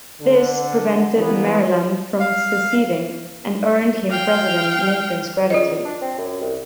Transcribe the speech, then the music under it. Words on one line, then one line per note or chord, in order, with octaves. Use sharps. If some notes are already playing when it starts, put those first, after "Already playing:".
This prevented Maryland from seceding, and earned him President Lincoln's gratitude.
D3
E3 G#3 A#3 B3
F5
F5 G5
C#3 F4 D5 D#5
D4
C4
F#2
C2